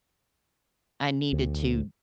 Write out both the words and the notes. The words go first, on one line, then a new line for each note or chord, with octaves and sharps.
I needed to
D2